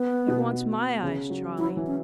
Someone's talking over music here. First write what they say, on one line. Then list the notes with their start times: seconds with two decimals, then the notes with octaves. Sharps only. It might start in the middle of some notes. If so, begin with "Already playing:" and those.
It wants my eyes, Charley.'
Already playing: B3
0.28 B2
1.03 C#3
1.30 F#3
1.58 F#3 E4
1.77 E3
1.86 C#4